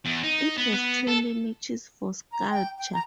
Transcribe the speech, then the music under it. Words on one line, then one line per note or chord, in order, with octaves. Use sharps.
It has twenty niches for sculpture.
E2
D#4
B3
B3
A4
A#5
G5
G5
A#5